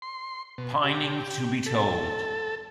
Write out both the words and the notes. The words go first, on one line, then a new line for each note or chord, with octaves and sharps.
Pining to be told.
C6
B2
G4
A4